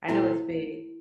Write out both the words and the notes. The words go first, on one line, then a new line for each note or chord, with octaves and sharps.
I know it's big.
A#2 A3 C4 E4